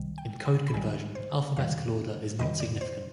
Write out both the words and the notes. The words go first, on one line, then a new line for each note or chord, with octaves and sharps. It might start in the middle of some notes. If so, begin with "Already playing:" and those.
In code conversion, alphabetical order is not significant.
Already playing: C2 C3 D#3 G3
G5
B5
B5
C2 C3 D#3 G3 G#5
C5
F2 D#3 G3 F5
F2 D#3 G3 D#5
D5
C5